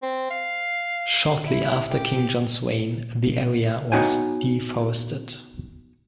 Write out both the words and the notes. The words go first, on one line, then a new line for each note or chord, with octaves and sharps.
Shortly after King John's reign, the area was deforested.
C4
F5
E4
G4
B3 D#4 F#4 C#5 G5 G#5